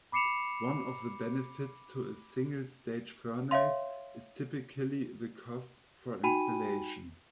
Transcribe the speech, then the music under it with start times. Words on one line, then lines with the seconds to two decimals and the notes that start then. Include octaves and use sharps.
One of the benefits to a single-stage furnace is typically the cost for installation.
0.12 B5 D6 C7 C#7 E7 F7
3.51 C#5 E5 F5 C6
6.23 D#4 F#4 G5 G#5 B5 D#7